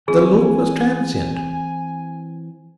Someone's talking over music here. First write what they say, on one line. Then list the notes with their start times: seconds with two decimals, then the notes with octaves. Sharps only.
The look was transient.
0.08 E3 C4 G#4 G#5